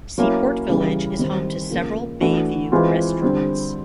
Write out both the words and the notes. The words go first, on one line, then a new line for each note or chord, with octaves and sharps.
Seaport Village is home to several bay-view restaurants.
F#3 A#3 C#4 E4
C#3 E3 G3
D#3 G3 C4 D#4
C#3 F3 A#3
E3 A3 D4 F#4
E3 G#3 C4 F4
D3 G3 C4